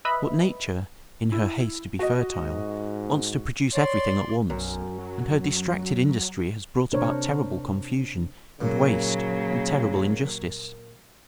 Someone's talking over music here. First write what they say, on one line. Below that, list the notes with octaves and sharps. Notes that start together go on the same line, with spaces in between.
But nature, in her haste to be fertile, wants to produce everything at once, and her distracted industry has brought about terrible confusion and waste and terrible injustice.
B4 D#5 E5 B5
E4
F#4 D#5
G#2
C#5 D5 C6
B1 F#2
F#3
C3 D4 A#4 C5 C#5
A#2 C#3 F#3 A#3